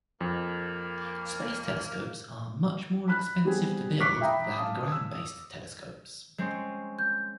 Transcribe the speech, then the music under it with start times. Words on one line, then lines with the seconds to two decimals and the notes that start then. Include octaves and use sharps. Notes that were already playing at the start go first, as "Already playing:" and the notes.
Space telescopes are much more expensive to build than ground-based telescopes.
0.21 F2 A#3
3.08 B5 F#6
3.45 G3 B3 C4 G4 G#4
4.00 C#6 D6 F#6 B6 C7
4.21 E5 G5 A#5 B5 D#6
4.57 F5 A5 D#6
4.92 E6
6.38 G#3 C4 C#4
6.99 G6